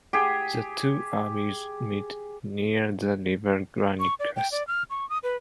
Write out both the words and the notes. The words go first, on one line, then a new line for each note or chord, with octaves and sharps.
The two armies met near the river Granicus.
G4 G#4
C#6
D5
G5
D5
F6
C#6
D#6
B4